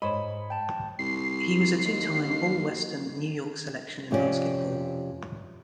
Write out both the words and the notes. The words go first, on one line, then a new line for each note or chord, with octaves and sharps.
He was a two-time all-Western New York selection in basketball.
G#2 C5 C#5 D#5 B5
G5 A5
C2 C7
D#2
F2 C3 C#4 F#4 D5